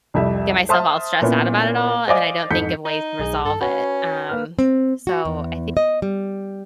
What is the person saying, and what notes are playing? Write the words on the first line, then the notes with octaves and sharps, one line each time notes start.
get myself all stressed out about it all, and then I don't think of ways to resolve it. Um, so I think
C2 F2 G3 E5
C5 E5 A5 C6 D#6 F6
A#2 B3 C#4 E4
C5 D5 D#5 F5 G#5 D6
F2 G#2 G6 B6 C#7
D#4
B1 G#4
G2 A4
C#4 F#4 B4 B5
A#3 B4 F6
C4
F#4
E2
D#5
G3